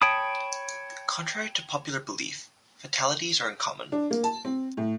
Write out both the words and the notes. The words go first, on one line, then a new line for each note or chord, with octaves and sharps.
Contrary to popular belief, fatalities are uncommon.
C#5 G5 A5 B5 D#6
D4
A#3
A5
C4
A2